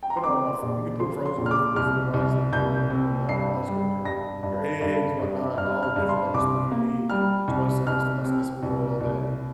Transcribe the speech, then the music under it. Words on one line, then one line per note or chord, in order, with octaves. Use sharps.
put all my f you can put frozen vegetables in the rice, in the in the rice cooker, your eggs, whatnot, and all the different other stuff you need, soy sauce, uh, sesame oil, all that
G5
A#5
C6
C4 D6
A#1
F3 C6
C6
A#1
F6
D6
C2 F6
C2
C2 G6
C3
G2 C7
G3
G2 A#6
G2
G2
G2
G2 F6
F6
G2
C6
C2 D6
A#3
G3 F6
C2
C2 F6
C3
C2
C2